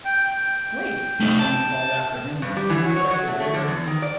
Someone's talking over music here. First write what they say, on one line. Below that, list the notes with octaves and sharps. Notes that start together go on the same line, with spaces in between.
"Wait!" Swain called after him, with unexpected vigour.
G5
G5
A3 D#4
A5
G2
G3
E3
F#3
C#5
F#3
A3
A3
D3
E2
D#3
D5